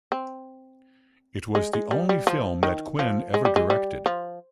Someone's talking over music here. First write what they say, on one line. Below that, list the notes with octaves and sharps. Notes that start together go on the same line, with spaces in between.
It was the only film that Quinn ever directed.
C4
G#3
G#3
G3
G3
F3
D#3
F3
G#3
G3
G#3
G3
F3